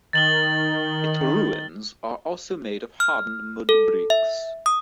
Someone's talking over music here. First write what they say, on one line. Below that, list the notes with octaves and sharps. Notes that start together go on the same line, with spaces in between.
Its ruins are also made of hardened mud bricks.
D#3 A6 F#7 G7
F6
A4
E5
D#6